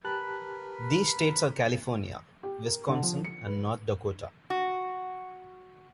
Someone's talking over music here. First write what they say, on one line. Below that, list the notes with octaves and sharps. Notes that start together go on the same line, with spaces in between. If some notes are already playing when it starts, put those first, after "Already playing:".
These states are California, Wisconsin, and North Dakota.
G4 A#4 B4 A5 B5 F#6
G4
A#4
D3
F3
C#7
B4
F#4